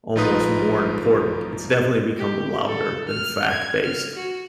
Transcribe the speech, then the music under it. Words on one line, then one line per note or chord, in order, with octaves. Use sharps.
almost more important. It's definitely become louder than fact based.
A#1 F3 D#4 F4 B4 D#6
G4
A4
F6
G#6
F6
F#4